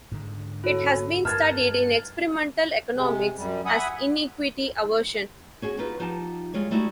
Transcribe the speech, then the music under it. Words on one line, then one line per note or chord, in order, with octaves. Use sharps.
It has been studied in experimental economics as inequity aversion.
G#2 D3
E4 F#4 A4 C#5
G2 A#4 B4 A5 F6 G#6 A6
C3 G#3
F#2 G3
E5 F#5 G#5 B5 D#6
C#4 F#4 G#4
D#4 F4 F#4 B4
F3 D#4 G4 F#5 A5
G3 G#3 F4 C#5
G3 A3 D#4 E4 F#4